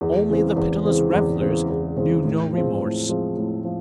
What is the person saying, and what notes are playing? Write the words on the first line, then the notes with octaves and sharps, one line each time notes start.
Only the pitiless revelers knew no remorse.
E2
C#3 E3 G#3 C4
E2
C#3 E3 G#3 C4
E2
C#3 E3 G#3 C4
E2
C#3 E3 G#3 C4
A2
F3 G#3 C4
A2
F3 G#3 C4
A2
F3